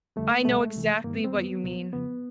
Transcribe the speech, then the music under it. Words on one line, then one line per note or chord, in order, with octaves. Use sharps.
I know exactly what you mean.
F2 D3 G3 A3
A#3
C#2 B2 G3 A3
C2 C3 E3
G2 D#3 G3 A#3
B3
C4
F#2 D#3 G3 B3
C#2 B2 F#3
F2 C#3 F3 B3